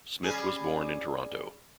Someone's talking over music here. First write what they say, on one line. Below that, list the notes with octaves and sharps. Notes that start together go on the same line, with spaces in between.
Smith was born in Toronto.
G3 C#4 G#4